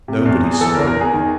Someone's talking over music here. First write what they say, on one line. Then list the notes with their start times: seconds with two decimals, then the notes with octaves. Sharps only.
Nobody spoke.
0.08 C3
0.26 E2
0.43 E2
0.53 G#4
0.61 E3 A4
0.75 A#4
0.78 E2
0.87 A#4
0.97 E2 G#4
1.14 D#3